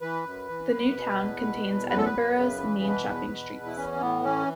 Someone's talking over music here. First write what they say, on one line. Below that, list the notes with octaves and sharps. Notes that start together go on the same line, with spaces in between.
The New Town contains Edinburgh's main shopping streets.
E3 B4
F#2
E3
F#2
B2
E2
B2
E2
F#2 B4
A4
B4
F#2
C#3
E3
B2
E2
B2
E2
E4
E3 C#4
A2 B3
E3 C#4